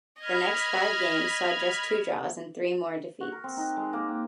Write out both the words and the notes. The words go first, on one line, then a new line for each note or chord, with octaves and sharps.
The next five games saw just two draws and three more defeats.
D#5 B5 F6 G#6
F#4
A#4
C4
D#4
G#3
A#3
G5